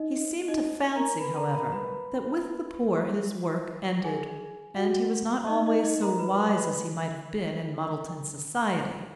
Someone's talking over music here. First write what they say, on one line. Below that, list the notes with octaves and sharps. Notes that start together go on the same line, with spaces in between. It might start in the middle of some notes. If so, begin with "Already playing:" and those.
He seemed to fancy, however, that with the poor his work ended, and he was not always so wise as he might have been in Muddleton society.
Already playing: D#4 D#5
D#4 D#5
A#4 A#5
B4 B5
A#4 A#5
B5
A#4 A#5
B4 B5
G#4 G#5
F#4 F#5
D#4 D#5
D#4 D#5
D#4 D#5
A#4 A#5
B4 B5
B4 B5